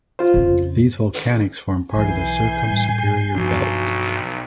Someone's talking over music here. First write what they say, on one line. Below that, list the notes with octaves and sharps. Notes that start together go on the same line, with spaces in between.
These volcanics form part of the Circum-Superior Belt.
F4 C5
F2 C#3
B1 E3 F#3 G#5 G6 C7
A2 G3
B1 G2 F3 D4 F#4